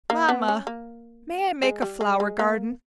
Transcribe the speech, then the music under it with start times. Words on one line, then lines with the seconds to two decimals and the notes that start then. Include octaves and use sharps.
"Mamma, may I make a flower-garden?"
0.10 A#3
0.29 B3
0.48 C#4
0.67 A#3
1.63 G#3
1.82 G3
2.01 G#3
2.20 G#3
2.39 A#3